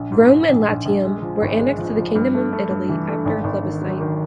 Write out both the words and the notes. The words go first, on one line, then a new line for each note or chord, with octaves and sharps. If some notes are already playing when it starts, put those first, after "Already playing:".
Rome and Latium were annexed to the Kingdom of Italy after a plebiscite.
Already playing: A#1
G#2
G#2
A#1
A#1
A#1
G#3
F3
G#1
G#3
F3
F3
G2
A3
A3
G2
E3
A3
G#1
G#1
D#3
F#3
D#3